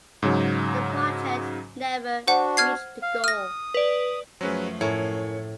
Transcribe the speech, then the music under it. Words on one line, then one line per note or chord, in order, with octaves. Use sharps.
The project never reached the goal.
G#2 C#3 F#3
D4 F#4 C5 F#5
F6 G#6 C7
F5
D#6 F6 A#6
B4 D5
F#2 F3 F#3 A3 C#4 G#4 B4 C5
A2 E4 A#4 C#5 G#5